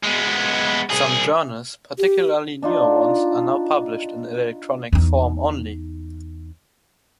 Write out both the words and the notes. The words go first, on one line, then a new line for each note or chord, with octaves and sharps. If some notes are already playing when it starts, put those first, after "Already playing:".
Some journals, particularly newer ones, are now published in electronic form only.
G#3 B3
C2 G#4
G4
D4 D#4 F4
E2 D#4